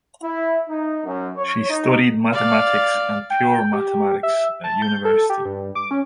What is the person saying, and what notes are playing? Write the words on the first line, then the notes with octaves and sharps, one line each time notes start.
She studied mathematics and pure mathematics at university.
E4
D#4
F#2
C#5
D#4
D5 F5
G5
G4
E5
A5
G6
A4
G4
G2
D6
C#4